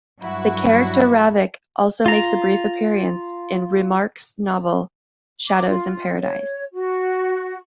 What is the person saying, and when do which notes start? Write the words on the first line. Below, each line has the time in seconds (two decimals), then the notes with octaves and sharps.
The character Ravic also makes a brief appearance in Remarque's novel, "Shadows in Paradise".
0.22 G2 F#3 E4 F#4
2.06 F4 A#5
5.47 D6
5.67 F4
6.20 C#5
6.72 F#4